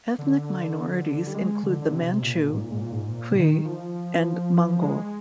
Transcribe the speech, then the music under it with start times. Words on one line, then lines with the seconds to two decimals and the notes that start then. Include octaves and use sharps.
Ethnic minorities include the Manchu, Hui, and Mongol.
0.19 D3
1.27 G3
1.34 G#3
1.63 D3
1.82 D3
1.92 C3
2.22 A#2
2.50 G#2
2.61 A#2
2.71 G#2
2.81 A#2
2.92 G#2
3.08 A#2
3.31 D3
3.36 D#3
3.65 F3
4.81 G#3